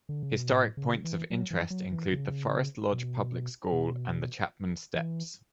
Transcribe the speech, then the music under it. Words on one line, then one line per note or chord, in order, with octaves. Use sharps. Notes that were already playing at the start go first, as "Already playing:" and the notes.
Historic points of interest include the Forest Lodge Public School and the Chapman Steps.
D3
C#3
B2
A2
C#3
E3
F#3
E3
F#3
E3
C#3
B2
B2
E3